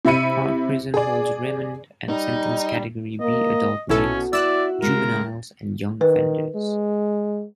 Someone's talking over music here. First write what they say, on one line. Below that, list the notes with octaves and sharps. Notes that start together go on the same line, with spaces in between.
Parc Prison holds Remand and Sentenced Category B Adult males, juveniles and young offenders.
C3 E4 E5 B5 C#7 D#7
G#4 D5
G3 D#4
A#3 D#5
B1 B2 C#4 E4 F#4 A4
E4 D5 E6 F#6
C#3 G#3 A#4
D#3 B4
G#3